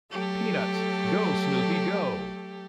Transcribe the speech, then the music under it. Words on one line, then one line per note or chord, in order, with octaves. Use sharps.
Peanuts: Go Snoopy Go!
F#3 A3 G4 A4